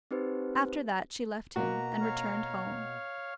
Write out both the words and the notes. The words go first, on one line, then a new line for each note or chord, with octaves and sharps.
After that she left him, and returned home.
C4 D#4 G4 B4 C5
B2 A#3 F#4 A#5
C#5 F5